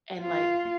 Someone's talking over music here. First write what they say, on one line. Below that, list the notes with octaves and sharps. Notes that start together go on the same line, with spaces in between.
and, like,
F4